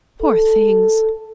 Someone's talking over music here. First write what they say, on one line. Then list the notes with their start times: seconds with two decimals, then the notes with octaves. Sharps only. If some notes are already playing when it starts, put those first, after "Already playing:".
"Poor things!"
0.22 A4